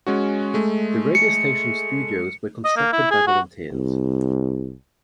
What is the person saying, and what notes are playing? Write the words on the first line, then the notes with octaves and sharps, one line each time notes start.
The radio station studios were constructed by volunteers.
G#3 C#4 F#4
G#3 A3
C#7
D#5
A#3
E4
G#4
F#4
C2